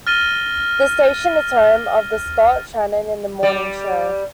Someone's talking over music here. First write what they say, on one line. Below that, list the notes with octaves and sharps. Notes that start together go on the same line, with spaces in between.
The station is the home of the "Scott Shannon in the Morning" show.
F6 A6 A#6 D#7 G7
G3 D5